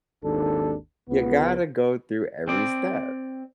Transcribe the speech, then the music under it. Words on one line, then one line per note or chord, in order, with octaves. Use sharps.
you gotta go through every step,
G#1 D#2 D4 A4
C#2 B3
C4 D5